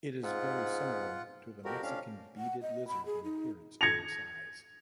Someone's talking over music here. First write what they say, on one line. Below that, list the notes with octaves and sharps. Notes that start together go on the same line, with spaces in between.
It is very similar to the Mexican beaded lizard in appearance and size.
G#2 F4 F#5
F2 F#4 G4 A#4
C#4 D4 F5
F#5
D#5
B5
G#4
D#4
G#6 A#6 C#7 F7